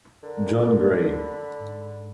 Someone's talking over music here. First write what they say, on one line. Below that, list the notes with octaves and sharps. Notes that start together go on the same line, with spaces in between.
John Gray.
D3 A#4
B5
G#2